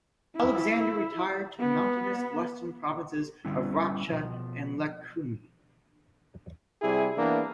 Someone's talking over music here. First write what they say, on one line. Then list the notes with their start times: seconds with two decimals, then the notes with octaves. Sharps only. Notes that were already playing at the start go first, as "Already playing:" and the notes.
Alexander retired to the mountainous western provinces of Racha and Lechkhumi.
0.36 E4
1.59 B3
3.45 D3 G3 B3 C#4 E4
4.09 B2 F3
6.82 C3 G3 E4 G#4
7.17 E3 A#3 B3 D4